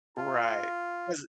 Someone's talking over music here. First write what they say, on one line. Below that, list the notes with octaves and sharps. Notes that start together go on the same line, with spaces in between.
Right. 'Cause
F4